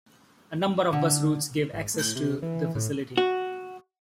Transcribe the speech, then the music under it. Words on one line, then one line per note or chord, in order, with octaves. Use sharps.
A number of bus routes give access to the facility.
D3
G#1
A2
C3
E3
A2
F#4